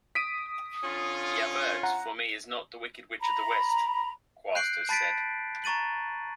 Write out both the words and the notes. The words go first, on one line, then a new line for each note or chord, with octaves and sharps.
"Javert for me is not the Wicked Witch of the West," Quast has said.
D#6 B6 D7 D#7
D3 C#4 F4
F#5 A#5
A#5 B5
F#6 G6 C7 D7 F#7
A5 B5 A6 B6 D7
A#5 C#6 A6 D#7 F#7